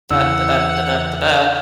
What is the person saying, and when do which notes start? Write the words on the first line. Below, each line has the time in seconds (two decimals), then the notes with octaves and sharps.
,"dah, da dah, da dah, da dah,"
0.11 E2 C#3 E3 F#5 E6